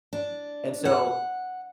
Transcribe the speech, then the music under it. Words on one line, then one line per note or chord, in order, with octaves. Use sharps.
And so,
D4
F#5